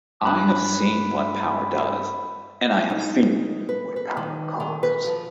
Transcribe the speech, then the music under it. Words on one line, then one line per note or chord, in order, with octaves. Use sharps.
I have seen what power does, and I have seen what power costs.
G2 B5 F#6
D#4
B4
B4
D#3
D#3
B4
F3